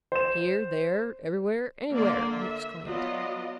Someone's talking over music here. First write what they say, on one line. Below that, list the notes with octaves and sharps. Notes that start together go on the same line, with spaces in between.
"Here, there, everywhere, anywhere!" he exclaimed.
C5 E7
D3 A#3 D5 C6
E5
F#3 B3 F4 D5 D#5